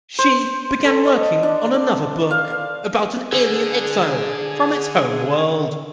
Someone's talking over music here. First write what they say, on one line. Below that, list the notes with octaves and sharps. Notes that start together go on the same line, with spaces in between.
She began working on another book about an alien exiled from its home world.
C5
A4
D#5
D4
D5
F5
F5
D3 G#4